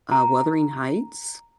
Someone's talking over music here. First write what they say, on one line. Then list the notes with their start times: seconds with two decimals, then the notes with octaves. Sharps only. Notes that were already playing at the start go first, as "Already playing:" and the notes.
uh, Wuthering Heights.
0.12 A#5